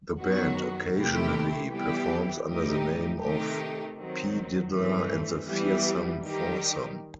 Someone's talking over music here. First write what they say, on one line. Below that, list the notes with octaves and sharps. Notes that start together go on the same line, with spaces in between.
The band occasionally performs under the name of P Diddler And The Fearsome Foursome.
F#2 D#3 F#3 B3 F#4
C3 D#3 A3 E4 G4
E3 G3 B3 E4 G4
A2 E3 G3 D#4 G4
C3 D#3 A3 D#4 G4
D#3 F#3 C4
G2 E3 A3 C4
E3 G3 B3
D#3 G3 D#4 G4